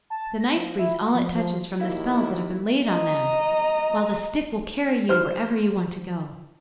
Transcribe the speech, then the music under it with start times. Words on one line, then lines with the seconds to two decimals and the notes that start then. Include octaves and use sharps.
The knife frees all it touches from the spells that have been laid on them; while the stick will carry you wherever you want to go.
0.10 A5
0.40 A#6
0.56 F3
0.79 E4
1.00 F#4
1.14 F3
1.34 F3
1.80 D#2 E4 F4 F5
2.88 D#5 A#5
5.09 C5 F6